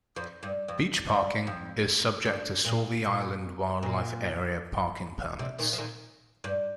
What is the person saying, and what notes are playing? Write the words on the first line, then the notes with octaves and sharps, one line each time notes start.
Beach parking is subject to Sauvie Island Wildlife Area parking permits.
F2
G2
F2
G2
F2
G2
A#2
A#2
A#2
C3
A#2 D#3
F3
A#2 D#3
G2